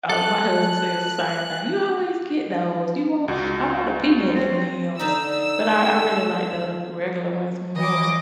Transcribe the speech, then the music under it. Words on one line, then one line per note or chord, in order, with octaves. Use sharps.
Oh, my husband says the same thing, "You always get those. You want I want the peanut M&M's," but I I really like the regular ones more.
A4 F#6
C#2 F#4
C4
D3 D#4 E6
E3 D#5 D6